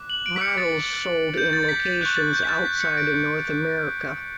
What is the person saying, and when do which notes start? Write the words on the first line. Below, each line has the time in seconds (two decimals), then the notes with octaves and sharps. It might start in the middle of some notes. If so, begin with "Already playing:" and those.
Models sold in locations outside North America.
Already playing: D6 F#6
0.10 F#7
0.26 D7
0.36 B6
0.41 C#7
0.58 A6
1.37 G6
1.53 A6
1.63 A6
1.69 B6
1.85 A6
2.01 C#6 F#6 G6
2.17 A6
2.33 G6
2.44 B6
2.49 A6
2.65 B6
2.80 C#7
2.97 D7
3.13 C#7